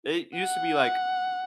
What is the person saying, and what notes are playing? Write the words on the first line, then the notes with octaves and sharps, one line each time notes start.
it used to be like,
F#5